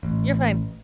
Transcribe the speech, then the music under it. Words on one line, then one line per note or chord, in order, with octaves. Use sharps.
You're fine,
A1